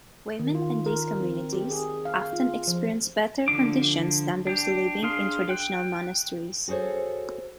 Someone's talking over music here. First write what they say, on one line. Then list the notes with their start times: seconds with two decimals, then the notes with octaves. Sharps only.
Women in these communities often experience better conditions than those living in traditional monasteries.
0.39 D#3
0.55 F4
0.86 A#4
1.20 C4
1.53 G4
1.70 G#4
2.05 F5
2.33 F4
2.67 F3
3.48 D3 F3 D4 D6
4.47 D4 G4
5.03 D4 G#4 F5 C6
5.49 G5 F#6
6.68 F#4 G#4 A4 C5 C#5